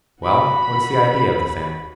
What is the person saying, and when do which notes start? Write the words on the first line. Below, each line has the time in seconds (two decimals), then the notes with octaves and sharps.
"Well, what's the idea of the thing?"
0.21 F#4 B5